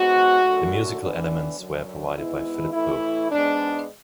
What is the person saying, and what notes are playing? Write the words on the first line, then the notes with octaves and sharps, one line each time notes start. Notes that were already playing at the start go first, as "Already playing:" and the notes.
The musical elements were provided by Philip Pope.
Already playing: G#2 G#3 B3 F#4
F#2 D3 A3
A2 E3 B3 D4
F#2 D3 F#3
G#2 G#3 B3 E4
A2 E3 A3 E4
G#2 G#3 B3 D4